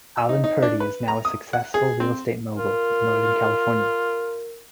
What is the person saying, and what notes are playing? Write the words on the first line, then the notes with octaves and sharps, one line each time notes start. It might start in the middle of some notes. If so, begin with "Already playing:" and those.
Alan Purdy is now a successful real estate mogul in northern California.
E6
D#4
D#4
D4
B4
A#5
D#6
F#5
G#4
C4
F4 A#4